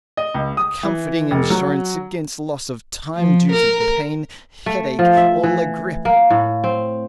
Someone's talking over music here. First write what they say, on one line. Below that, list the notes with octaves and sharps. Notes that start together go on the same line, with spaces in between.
A comforting insurance against loss of time due to pain, headache or la grippe.
D#5
C#2
D#6
E3
F1
F#3
F3
A#4
A3
F3
E5
E3
A#3
A2
C4